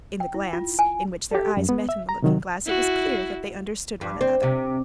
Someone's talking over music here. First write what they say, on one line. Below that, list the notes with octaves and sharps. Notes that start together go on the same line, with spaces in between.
In the glance, in which their eyes met in the looking-glass, it was clear that they understood one another.
G5
E4
F4
G#5
G4 A4
F#2
B3
E5
A#5
C3 D#3 F#3
E4 F#4
G2
C4
C3